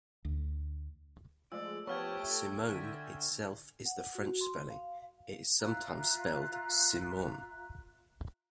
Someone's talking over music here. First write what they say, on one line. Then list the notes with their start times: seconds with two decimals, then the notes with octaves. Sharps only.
"Simone" itself is the French spelling; it is sometimes spelled Simonne.
0.25 D2
1.52 F3 G#3 A3 F4 D5 E6
1.87 F3 B3 G4 C#5 A5 C#6 F6 G#6
2.17 A3 D7
2.69 D3 E5 G5 G#5
3.86 F#5
4.15 F#4
4.41 C6
4.70 F5
5.61 F4 E5 A#5 F#6